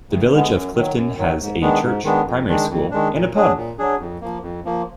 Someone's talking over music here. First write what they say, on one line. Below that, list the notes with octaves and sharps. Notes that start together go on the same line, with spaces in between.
The village of Clifton has a church, primary school, and a pub.
D2
D3 G#3 B3
F#2
D#3 F#3
F#2
D#3 F#3
G#2
D#3 G#3 B3 D4
G#2
D#3 G#3 B3 D4
F2
D#3 G#3 D4
F2
D#3 G#3 D4
A#2
F#3 D4 G#4
A#2
F#3 D4 G#4
F2
F3 A#3
F2
F3 A#3